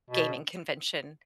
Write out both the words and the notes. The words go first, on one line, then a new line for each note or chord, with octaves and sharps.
gaming convention,
B2